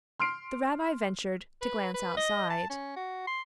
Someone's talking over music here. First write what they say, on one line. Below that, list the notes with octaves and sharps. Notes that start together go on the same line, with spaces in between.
The rabbi ventured to glance outside.
C6 F6 C7 D7
B4
B4
D#5
A5
C#4
F#4
C6